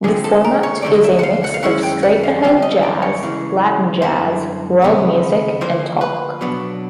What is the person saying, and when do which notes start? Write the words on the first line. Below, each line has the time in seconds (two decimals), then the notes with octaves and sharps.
The format is a mix of straight-ahead jazz, Latin jazz, world music, and talk.
0.04 D3 F3 G#3 C4 G#4
0.24 A4
0.45 A#4
0.63 C#5
0.82 D2 D3 F3 A3 D5
0.94 D#5
1.04 E5
1.19 F#5
1.23 F5
1.44 F#5
1.54 F5
1.63 F#2 D#3 G#3 C#4 E4 F#5
1.83 G5
2.03 F#5
2.23 F5
2.43 F#2 D3 G3 C4 F4 F5
2.62 D#5
2.83 D5
3.02 C#5
3.23 C#3 E3 G#3
4.02 F#2 D3 G3 B3 E4 C5
4.82 C#2 C3 D#3 G#3 B3
5.61 D2 D3 F3 A#3 C5
6.01 B4
6.41 B2 F#3 B3 D4